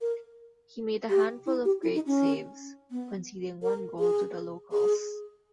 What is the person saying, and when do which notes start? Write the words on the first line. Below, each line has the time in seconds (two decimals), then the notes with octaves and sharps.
He made a handful of great saves, conceding one goal to the locals.
0.01 A#4
1.10 G4
1.46 E4
1.65 G4
1.83 E4
1.95 D#4
2.07 C#4
2.91 B3
3.63 A#4
3.99 G#4
4.72 G#4